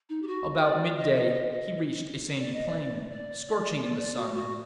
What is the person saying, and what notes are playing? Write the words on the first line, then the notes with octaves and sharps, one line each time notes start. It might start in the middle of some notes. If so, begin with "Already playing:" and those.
About mid-day he reached a sandy plain, scorching in the sun.
D#4
G4
F#4
D5
D#5
D#5
D#5
D#5
D5
D#5
D5
D5
D5
D5
D5
F#4
F#4